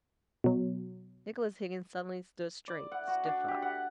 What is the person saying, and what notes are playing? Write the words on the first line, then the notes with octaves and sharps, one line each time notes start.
Nicholas Higgins suddenly stood straight, stiff up.
B2 F#3
D5
F#5
F#4
D4
G4
F#5